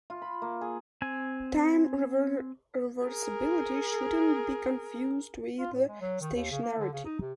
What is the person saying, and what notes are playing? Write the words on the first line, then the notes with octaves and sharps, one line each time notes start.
Time-reversibility should not be confused with stationarity.
F4
B5
A#3
G#4
C4 G#5
G#4 A#4
F4
A2
G#3
F#3
D#3
D#2
C#3
A#3
D3
C#3
D#4
C3